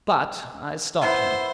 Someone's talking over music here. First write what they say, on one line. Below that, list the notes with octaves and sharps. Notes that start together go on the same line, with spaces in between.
But I stopped him.
F#2 B3 E4 C5